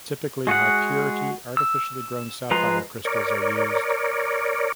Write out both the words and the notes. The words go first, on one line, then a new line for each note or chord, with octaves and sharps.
Typically, high-purity artificially grown sapphire crystals are used.
G#3 F#4 G#4 F#5
E6
F3 G#3 B4 A#5 C6
A#4 C#5 D5